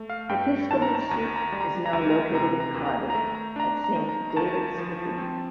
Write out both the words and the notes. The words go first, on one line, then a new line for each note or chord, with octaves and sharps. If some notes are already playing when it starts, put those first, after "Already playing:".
The Episcopal Seat is now located in Cardiff, at Saint David's Cathedral.
Already playing: A3
F5
G2 G5
D#3 A5
A#5
A5
D2 A#5
A#5
G3
A#5
A#5
D2
A#5
C3 A#5
A#5
D#2
A#5
A3 A#5
A#5
D4 A#5
A#5
D#3
A#5
A#5
D2 A5
F3
C4